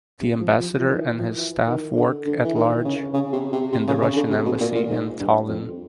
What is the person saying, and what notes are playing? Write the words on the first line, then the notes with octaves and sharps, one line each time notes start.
The ambassador and his staff work at large in the Russian embassy in Tallinn.
C3
F3
F3
F3
D#3
E3
F3
E3
D#3
D3
D3
E3
D#3
C#3
C#3
C3
C3
C3
C#3
C#3
D3
C3
B2
A#2
A#2
G#2
G2
F2